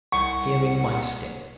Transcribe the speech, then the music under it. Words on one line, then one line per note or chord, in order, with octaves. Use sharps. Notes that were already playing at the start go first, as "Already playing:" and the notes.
Hearing my step!
C2 F#5 C#6